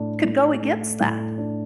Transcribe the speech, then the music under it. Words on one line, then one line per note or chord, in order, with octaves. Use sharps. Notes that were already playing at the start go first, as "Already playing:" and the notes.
could go against that?
Already playing: A2 A3 D4
A2
A3
A2
D4